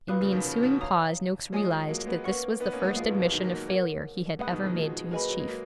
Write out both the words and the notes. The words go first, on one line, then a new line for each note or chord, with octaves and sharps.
In the ensuing pause Noakes realized that this was the first admission of failure he had ever made to his chief.
A#2 B4 F5 B5 D#6 F#6
A#2 C#3
B2 D#3
C#3 F3
B2 D#3
C#5 F5 A#5 D#6
F3 G#3 C#5 G#5 D#6
F#3 A#3
G#3 B3
A#3 C#4 B4 F#5 C#6
B3 D#4
A#3 C#4
G#3 B3
F3 G#3 G#4 B4 F5
G#2 B2
A#2
D#3 F#3
F#3 A#3
A#4 C#5 F#5
G#3 B3 F#5 B5 D#6 F#6
B2 D#3
D#3 F#3
F3 G#3
F#3 A#3 G#4 B4 D#5 G#5 B5
F#3
G#3
F#3 A#3